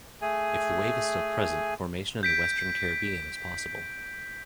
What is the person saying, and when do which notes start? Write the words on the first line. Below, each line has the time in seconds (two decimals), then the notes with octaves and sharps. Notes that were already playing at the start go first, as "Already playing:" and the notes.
If the wave is still present, formation in the Western Caribbean is possible.
0.22 A3 G#4 G#5
2.23 G6 B6 D7